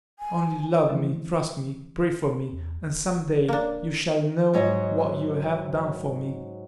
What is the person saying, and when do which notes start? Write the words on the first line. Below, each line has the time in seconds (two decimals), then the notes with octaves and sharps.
Only love me, trust me, pray for me, and some day you shall know what you have done for me.
0.19 G#5
0.88 D3 E3 F3 G#3 D4 E4
2.53 E2
2.94 D1
3.48 A#3 D4
4.54 G#2 F#3 C#5 D#5